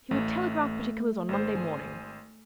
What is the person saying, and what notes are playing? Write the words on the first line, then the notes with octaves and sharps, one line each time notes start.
He would telegraph particulars on Monday morning.
A1 A3
G#1 C5
G#4